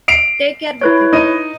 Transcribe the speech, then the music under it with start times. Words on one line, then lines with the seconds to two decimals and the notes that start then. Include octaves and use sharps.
Take care with it.
0.08 C7 D7 F7
0.81 E4 B4 C#5
1.13 D#4 D#5 D#7